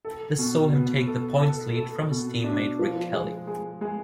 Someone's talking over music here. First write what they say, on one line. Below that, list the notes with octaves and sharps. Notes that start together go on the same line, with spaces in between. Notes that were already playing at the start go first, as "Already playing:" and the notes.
This saw him take the points lead from his team mate Rick Kelly.
A4
B2
B3
A4
A4
A4
B2
D4
F3
G#3
G#3
G#3